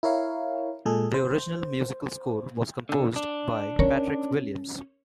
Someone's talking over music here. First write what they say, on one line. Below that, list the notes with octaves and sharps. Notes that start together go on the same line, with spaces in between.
The original musical score was composed by Patrick Williams.
E4 A#4 C#5 F5
A#2 G#3 G#4 A4
C5
D3
D4
C#4 A#4 C#5